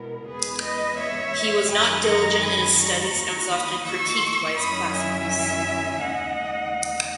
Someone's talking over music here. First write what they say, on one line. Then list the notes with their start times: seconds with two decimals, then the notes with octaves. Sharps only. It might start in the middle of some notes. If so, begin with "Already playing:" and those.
He was not diligent in his studies and was often critiqued by his classmates.
Already playing: B2 G#3 B3 E4 A#4
0.27 E2 C#3 G#3 B3 G#4 B4
0.63 B4 D#5
0.99 C#5 E5
1.70 F#2 D#3 G#3 G#5 B5
2.07 A#5 C#6
2.42 G#5 B5
2.78 A#5 C#6
3.14 E2 D#3 A#3 E4
3.50 B5 D#6
3.86 C#6 E6
4.57 F#2 D#3 F#3 C#4 E4 B5 D#6
4.93 E5 G#5
6.01 D#2 C#3 G#3 D#4 D#5 F#5